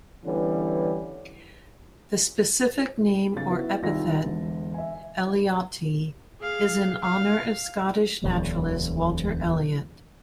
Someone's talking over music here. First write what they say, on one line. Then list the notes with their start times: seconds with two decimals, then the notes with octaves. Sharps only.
The specific name or epithet, "ellioti", is in honor of Scottish naturalist Walter Elliot.
0.24 D3 E3 G3 B3 C#4
3.36 B1 C#3 A6
3.50 B3 E4 F#4
3.83 C2 D#3 F4 F#4 D5 A#6
4.23 E1 D3
4.74 E5 G#5
6.40 G#4 F5
7.02 F5
8.24 E1 D2 F#3